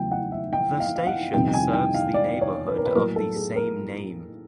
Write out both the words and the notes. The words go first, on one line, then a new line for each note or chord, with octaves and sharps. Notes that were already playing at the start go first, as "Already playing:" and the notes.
The station serves the neighborhood of the same name.
Already playing: E2 C#3 F#3 A3 G5
F#5
E5
G5
F5
F5
F#5
F2 C3 D#3 G3 B3 G5
G5
G#5
G5
F5
D5
C#5
B4
A#4
B4
A2 F#3 A#3 A#4
A4
G#4
A#4